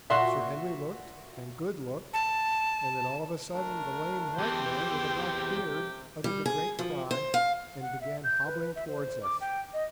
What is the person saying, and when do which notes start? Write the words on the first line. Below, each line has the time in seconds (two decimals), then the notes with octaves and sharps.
Sir Henry looked, and Good looked, and then all of a sudden the lame white man with a black beard uttered a great cry, and began hobbling towards us.
0.10 A#2 F#4 E5 C6
2.14 A5
3.53 A3 D4 A#4
4.38 E2 E3 G4 C5 G5
5.14 C3
6.24 G3
6.46 G#4
6.79 F3
7.11 C5
7.34 F5
7.81 F#5
8.01 E5
8.24 G6
8.46 B4
8.76 E5
8.88 C5
9.23 D6
9.41 G5
9.74 D#5